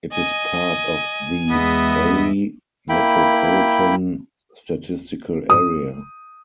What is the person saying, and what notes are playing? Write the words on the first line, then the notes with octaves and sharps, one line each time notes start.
It is part of the Erie Metropolitan Statistical Area.
D#5 G#5
E2 G#3 B3 D#5 E5
A#3 E4 G5 B5
D#6